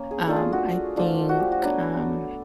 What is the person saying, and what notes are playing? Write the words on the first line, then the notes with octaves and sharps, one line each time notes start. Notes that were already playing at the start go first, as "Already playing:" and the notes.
Um, I think, um,
Already playing: A#3 C#4
G#4
A3 D4 F4 A4
G#4
F#4
F3 A3 D4 F4
F#4
G4
F#4
F#3 B3 D4